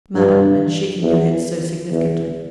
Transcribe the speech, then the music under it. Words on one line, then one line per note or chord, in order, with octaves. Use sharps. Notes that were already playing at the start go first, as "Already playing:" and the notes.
Madam, and shaking your head so significantly?
G2
E2
E2